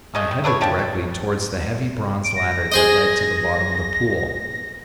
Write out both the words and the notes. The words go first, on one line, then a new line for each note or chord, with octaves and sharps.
I headed directly towards the heavy bronze ladder that led to the bottom of the pool.
G#3 A3 D#5
G3
A3 D4 B4 C#5
F3 D4 G4 A5
A4
D7
A#6
G#4 C5 D#5